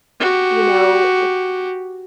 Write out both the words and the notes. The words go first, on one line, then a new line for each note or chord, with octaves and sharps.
you know,
F#4 G4